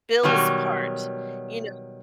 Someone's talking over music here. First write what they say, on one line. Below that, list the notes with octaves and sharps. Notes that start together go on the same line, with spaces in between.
bills part, you know?
B2 D#3 F#3 G3